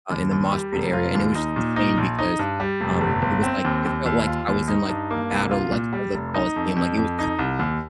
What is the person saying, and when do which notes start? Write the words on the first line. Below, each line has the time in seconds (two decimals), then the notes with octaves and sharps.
uh, in the mosh pit area, and it was just insane because, um, it was like it felt like I was in, like, the battle, like of the Colosseum. Like it was cra
0.10 D#2
0.31 D#2
0.52 G3
0.73 F1
0.93 F4
1.15 D#2
1.35 D#4
1.56 A#2
1.76 D#4
1.98 A#1
2.19 D#4
2.39 G2
2.60 G3
2.81 F1
3.01 G1
3.22 G1
3.43 C4
3.65 D#2
3.85 D#2
4.06 D#2
4.27 F4
4.48 D#2
4.68 D#4
4.89 G2
5.11 A#3
5.31 C2
5.51 F4
5.72 A#2
5.93 G3
6.14 F1
6.34 D#4
6.56 F2
6.76 F2
6.97 F2
7.19 D#4
7.39 C2
7.59 D#2